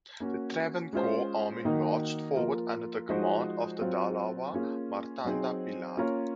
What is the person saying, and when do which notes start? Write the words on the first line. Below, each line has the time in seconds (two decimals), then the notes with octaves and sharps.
The Travancore army marched forward under the command of the Dalawa Martanda Pillai.
0.20 A#3 C#4 F#4
0.93 G#3 C#4 F4 C5
1.65 D#3 A#3 D#4 F#4 A#4
2.37 F3 A#3 F4 A#4
3.09 F3 G#3 D#4 F#4 C5
3.81 F#3 C4 F4
4.53 A#3 C#4 F4 G#4
5.25 F#3 C4 D#4 G#4 C5
5.97 A#3 C#4 F4 A#4 C#5